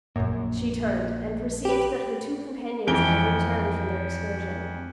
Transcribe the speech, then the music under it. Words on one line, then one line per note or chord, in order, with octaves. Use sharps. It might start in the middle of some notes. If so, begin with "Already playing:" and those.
She turned and perceived that her two companions had returned from their excursion.
A#1 F#2 A#2 A#3
G4 B4
F2 E3 D7 G7